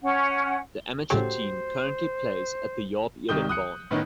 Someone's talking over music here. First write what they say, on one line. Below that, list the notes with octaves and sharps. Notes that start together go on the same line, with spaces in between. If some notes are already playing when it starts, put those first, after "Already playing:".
The amateur team currently plays at the Jaap Eden baan.
C#4 F#5
A2 C#3 F#3 A3 G4 C5 C#5
C2 D#3 G3 D#6 G6 G7
D#6 F#6 C#7
A2 D#3 B3 C#4 D#4